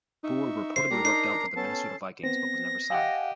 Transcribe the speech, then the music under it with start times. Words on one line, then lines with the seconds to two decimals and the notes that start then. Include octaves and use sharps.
Bua reportedly worked out with the Minnesota Vikings, but was never signed.
0.24 D#4 E5 C#6
0.76 C5 C7
0.91 G3 D4 A#4 A#5
1.05 D#4 C7
1.56 B3 C#4 A4 A5
2.23 B3 C4 A#6
2.90 G4 D#5 F5 F#5 G#5